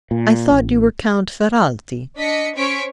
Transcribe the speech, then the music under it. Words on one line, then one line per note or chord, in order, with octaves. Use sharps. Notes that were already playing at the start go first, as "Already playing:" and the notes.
"I thought you were Count Ferralti."
A#2
A1
D4 D#5 B6 C#7
C#4 C5 C#5 C#6 B6 D7